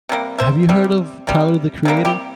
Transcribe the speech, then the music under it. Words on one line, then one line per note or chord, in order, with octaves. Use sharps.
Have you heard of Tyler, The Creator?
C3 G3 A#3
C5 E5
C3 G3
C3 G3
C3 G3 A#3
E4 G4